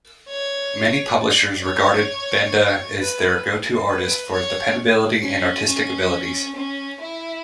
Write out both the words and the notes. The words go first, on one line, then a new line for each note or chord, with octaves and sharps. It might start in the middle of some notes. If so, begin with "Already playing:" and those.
Many publishers regarded Benda as their go-to artist for his dependability and artistic abilities.
C#5
D5
C#5
B4
B4
C#5
C#4
C#4
C#4
E4